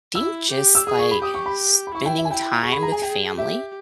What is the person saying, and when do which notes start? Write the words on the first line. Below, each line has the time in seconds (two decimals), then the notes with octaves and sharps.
think just, like, spending time with family,
0.15 E4 E6
0.50 G4
0.75 E6
0.86 G#4 D#6
0.99 C#6
1.11 B5
1.22 G4 D#6
1.35 C#6
1.46 B5
1.87 B5
1.94 E4 C#6
2.06 G5
2.18 E5
2.25 G#5
2.30 E4 G5
2.63 G#4 C#6
2.72 B5
2.83 A#5
2.92 G#5
3.02 G5
3.37 G4 E5